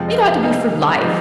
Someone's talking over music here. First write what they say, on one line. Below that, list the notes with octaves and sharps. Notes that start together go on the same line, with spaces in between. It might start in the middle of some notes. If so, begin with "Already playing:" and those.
It ought to be for life.
Already playing: F2 C3 F3 G#3
D#5
F5
C3 G3 C4 D#4 F5
C3 F3 G#3 D#4